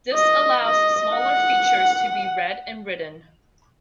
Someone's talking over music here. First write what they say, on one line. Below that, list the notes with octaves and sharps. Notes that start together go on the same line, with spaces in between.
This allows smaller features to be read and written.
D#5
D#5
F#5